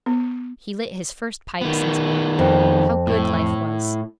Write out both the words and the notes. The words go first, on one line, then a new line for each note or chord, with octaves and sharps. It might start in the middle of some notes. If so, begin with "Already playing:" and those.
He lit his first pipe since morning. How good life was!
B3
D#3 B3
F2
A2